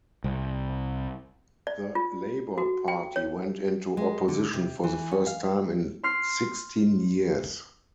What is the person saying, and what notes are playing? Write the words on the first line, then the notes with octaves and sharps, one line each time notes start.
The Labour Party went into opposition for the first time in sixteen years.
C2
D5
F4
F#4
G5
C#5
G#3
D3
C3
E3
C#4
F5
C6 F6 C7